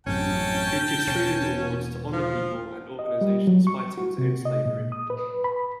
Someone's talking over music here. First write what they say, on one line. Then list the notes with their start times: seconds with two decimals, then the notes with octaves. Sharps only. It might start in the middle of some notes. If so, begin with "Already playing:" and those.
It gives Freedom Awards to honour people and organisations fighting to end slavery.
0.06 A1 F#2 C3 C#4 G5 A5
1.07 E1 C#4
2.13 F3
2.99 D#5
3.21 G3
3.47 F#3
3.67 C#6
3.98 F#4
4.18 C3
4.45 D#5
4.66 A#2
4.92 D#6
5.10 B4
5.44 B5